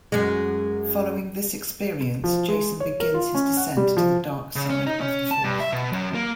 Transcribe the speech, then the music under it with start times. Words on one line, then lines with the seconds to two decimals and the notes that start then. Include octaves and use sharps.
Following this experience, Jacen begins his descent to the dark side of the Force.
0.12 F#2 G#3
2.24 F3
2.48 G#3
2.80 C#5
3.00 A#4
3.14 F4
3.34 C#4
3.57 F#5
3.77 G3
3.97 F3
4.56 C#3
4.70 C#4
4.87 D#4
5.01 C#4
5.31 A5
5.44 G2
5.60 E5
5.72 B2
5.92 F#2
6.14 A#3